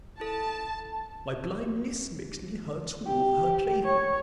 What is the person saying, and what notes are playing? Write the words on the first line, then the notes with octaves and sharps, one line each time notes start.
My blindness makes me her tool, her plaything.
E4 A4 A5
G4
C#5